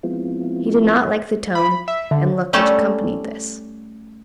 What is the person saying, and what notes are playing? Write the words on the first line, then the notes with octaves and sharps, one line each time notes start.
He did not like the tone and look which accompanied this.
F3 G#3 B3 C4 E4 F4
B5
E5
D3
G3 A3 C#4 A4 A5